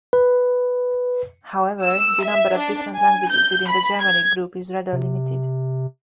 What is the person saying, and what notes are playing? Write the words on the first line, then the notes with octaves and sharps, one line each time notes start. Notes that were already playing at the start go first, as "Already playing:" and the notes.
However, the number of different languages within the Germanic group is rather limited.
B4
E6
E5
D4
G#5
G6
B5
G#6
C3